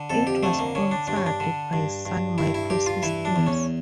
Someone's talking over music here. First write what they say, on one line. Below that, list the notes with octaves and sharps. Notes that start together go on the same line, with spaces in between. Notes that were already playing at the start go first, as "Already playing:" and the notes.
It was sponsored by Sun Microsystems.
Already playing: D3
F2 A4
G4
D3 A3
A#3
D3 C#4
D4
G2 D4
C#4
D4
D3
G2
G2
G2 E4
E4
G2 G4
F4
E3 E4
D4
E2
C#4